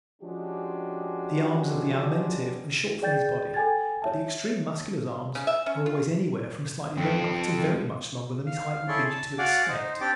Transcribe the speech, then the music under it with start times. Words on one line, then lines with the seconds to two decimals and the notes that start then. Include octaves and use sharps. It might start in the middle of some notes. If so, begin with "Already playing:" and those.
The arms of the Alimentive are short for his body but the extreme Muscular's arms are always anywhere from slightly longer to very much longer than his height would lead you to expect.
0.22 F3 G#3 C#4 D4 F#4 G4
3.02 G#4 D5 G5 G6 A6
3.54 A4 G5 G#5 G#6 A6
4.02 C#5 E5 A5
5.35 C#3
5.47 E5
5.66 C#4
5.86 F4
6.97 F2 C4
8.46 F5
8.88 E4 G#4 A4 C#5 D5 C6
9.10 A5
9.39 F#4 D5 F5 F#5 G#5 D6
9.68 D#4 C5
10.01 C4 D4 G4 D5 G5 D6